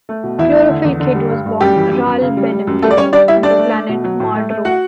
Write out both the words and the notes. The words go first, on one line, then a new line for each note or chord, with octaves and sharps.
Chlorophyll Kid was born Ral Benem on the planet Mardru.
A3
B2
E2 E4
A3
D3
E2
D3
G3
G2
G2
F#2 G3 G4
E3
F#2
F#2
C#3
G3
G3
F#2
G3 A3 A4
D5
G3 C#4 C#5
G3 D4 D5
G3 E4 E5
A3 D4 D5
A3
A3
B2
F#3
A2
A3
A3
F#4 F#5